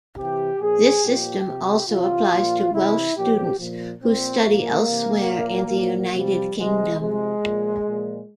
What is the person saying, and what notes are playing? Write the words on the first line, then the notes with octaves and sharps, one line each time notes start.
This system also applies to Welsh students who study elsewhere in the United Kingdom.
C3 E3 G4
A#2 F3 G#4
A#2 F3 G4
C3 F3
C3 E3 F4
A#2 F3
C3 E3 E4
A#2 F3 G4
A#2 F3
A#2 F3 C4
A#2 F3 A#3
C3 E3
A#2 F3
A#2 F3
C3 F3 G3
C3 E3 G#3
C3 F3 G#3
A#2 F3
A#2 F3